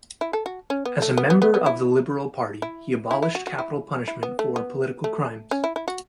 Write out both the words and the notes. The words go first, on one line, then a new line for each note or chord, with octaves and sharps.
As a member of the Liberal Party, he abolished capital punishment for political crimes.
E4
A4
F#4
C#4
B3
A3
B3
B3
B3
B3
E4
E4
E4
E4
F#4
F#4
E4
E4
B3
A3
B3
A3
C#4
E4
E4
F#4